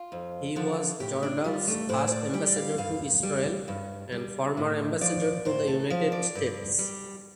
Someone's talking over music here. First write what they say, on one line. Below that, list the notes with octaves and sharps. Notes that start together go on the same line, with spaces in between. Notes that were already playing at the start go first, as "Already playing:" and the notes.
He was Jordan's first ambassador to Israel and former ambassador to the United States.
Already playing: F4
F2
D3 F3
A2 G4
D4
G3 F4
A3
A2 C5
C5
D5
G3 G5
D5
F5
G2 F5
G3
G2
G3
A2
F3 D5
A2 C5
A4
F3 C5
D5
G2
G3